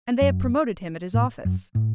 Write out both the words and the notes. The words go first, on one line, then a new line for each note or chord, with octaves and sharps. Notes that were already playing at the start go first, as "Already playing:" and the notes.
"And they have promoted him at his office."
F#2
A2
F#2
A2